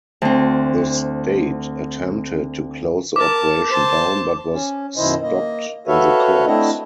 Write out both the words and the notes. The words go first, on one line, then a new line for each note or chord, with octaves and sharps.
The state attempted to close the operation down but was stopped in the courts.
D2 C4
A#4 A5 D6
C5 A5
C#4
F#2 B2 D#3 E4 C5 D#5
A#3 D#5
F#4 A4 B4 C#5 E5 F5
A3 C4 D4 E4 D#5